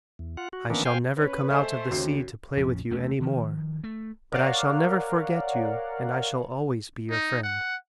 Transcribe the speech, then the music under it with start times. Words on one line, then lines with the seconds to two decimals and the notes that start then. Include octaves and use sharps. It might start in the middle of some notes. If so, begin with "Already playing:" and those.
I shall never come out of the sea to play with you any more, but I shall never forget you and I shall always be your friend.
0.19 E2
0.37 F4 F#5
0.53 F#4
0.70 D#3 E3 A#3 B3 C#4 D4
0.85 C5 F5 G5 G#5
1.17 C#4 B4
1.50 A3 A4 C5 D#5 E5 G#5 C#6
1.91 D#2 C#3 F#4 C7
2.57 A#1 F2 F3 C#4
2.91 E1 A3 C#4
3.21 D#3 F3
3.84 A3
4.32 A#4 C#5 D5 F5 F#5
7.11 D#4
7.43 F#5